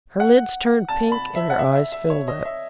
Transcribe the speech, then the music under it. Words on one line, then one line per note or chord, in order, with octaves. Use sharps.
Her lids turned pink and her eyes filled up.
F#5
A5
B5
E5
F#5
E5
E5
E5
C#5
D#5
E5